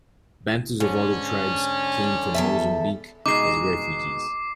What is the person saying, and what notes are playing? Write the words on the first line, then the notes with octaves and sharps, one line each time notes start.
Bantus of other tribes came from Mozambique as refugees.
G#2 D3 C#4
E2 A4 E5
B2 G#3 D#4 D6 C7